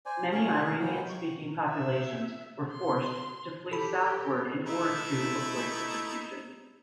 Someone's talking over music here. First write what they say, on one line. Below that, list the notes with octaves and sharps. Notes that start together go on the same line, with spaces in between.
Many Iranian-speaking populations were forced to flee southwards in order to avoid persecution.
C5 D5 G#5
C#4 A#4 C#5 C#6
G#3 A#3 B3 G5
C#6
E5
C6
G4 A4 B5
A3 D#4 E4